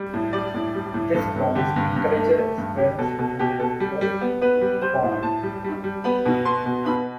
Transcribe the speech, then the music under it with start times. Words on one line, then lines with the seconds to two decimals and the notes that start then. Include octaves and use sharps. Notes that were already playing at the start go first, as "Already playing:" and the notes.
This promise encouraged his parents to move to the city of Isfahan.
Already playing: G3
0.14 A2
0.33 G3 D5
0.54 A2
0.75 G3
0.94 A2
1.14 G2 A4
1.36 G2
1.55 D3 G4
1.76 G2
1.96 G2
2.16 A3
2.37 A3
2.58 G2
2.78 G3 G4
2.99 B2 A4
3.19 B2 A4
3.39 B2 G4
3.60 B2 A4
3.80 G3
4.01 G3
4.21 B3
4.42 B3 B4
4.61 G3
4.82 G3 C5
5.03 A2
5.23 A2 A5
5.43 G3
5.64 G3
5.84 G3
6.04 B3 B5
6.26 B2
6.45 B3 C6
6.66 B2
6.86 B3 B5